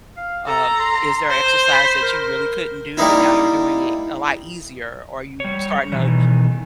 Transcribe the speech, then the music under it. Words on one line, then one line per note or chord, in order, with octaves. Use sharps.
um, "Is there exercise that you really couldn't do, but now you're doing it a lot easier? Are you starting to
F5
A4 A#5
C6
C5
B5
A#4
G3 A#3 D#4 E4
G3 C#5
B2 D#3 E3